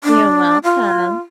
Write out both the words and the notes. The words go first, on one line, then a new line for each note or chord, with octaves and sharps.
You're welcome!
D4
F4